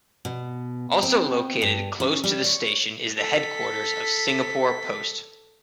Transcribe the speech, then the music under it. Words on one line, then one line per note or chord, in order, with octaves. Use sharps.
Also located close to the station is the headquarters of Singapore Post.
B2
C4
G2
C#4
G3
C#5
A4 B6